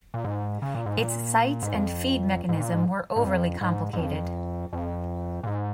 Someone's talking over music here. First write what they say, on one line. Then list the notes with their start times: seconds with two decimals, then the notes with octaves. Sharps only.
Its sights and feed mechanism were overly complicated.
0.14 A#2
0.25 G#2
0.62 C#3
0.75 A#2
0.86 G#2
0.98 A#2
1.63 G#2
1.74 F2
2.49 G#2
2.60 A#2
2.72 G#2
3.16 G#2
3.23 F2
3.61 G#2
3.93 G#2
3.98 F2
4.73 F2
5.43 A#2
5.47 G#2